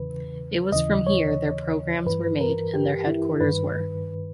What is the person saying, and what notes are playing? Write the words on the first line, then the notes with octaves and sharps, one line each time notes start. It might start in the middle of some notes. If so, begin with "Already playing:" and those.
It was from here their programmes were made and their headquarters were.
Already playing: E2 C#3 E3 B4
D#2 C#3 E3 D#5
C#5
G2 E3 B4
A#4
G4
E4
G2 D#3 B4